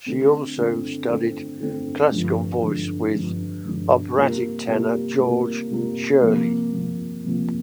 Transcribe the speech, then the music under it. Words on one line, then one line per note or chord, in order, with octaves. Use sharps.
She also studied classical voice with operatic tenor George Shirley.
D3 A3 C4
D3 A3 C4
D3 A3 C4
D3 A3 C4
G2 D3 F3
G2 D3 F3
G2 D3 F3
G2 D3 F3
C3 G3 A#3 F4 A#4
C3 G3 A#3 F4 A#4
C3 G3 A#3 F4 A#4
C3 G3 A#3 F4 A#4
C3 F3 A#3
C3 F3 A#3
C3 F3 A#3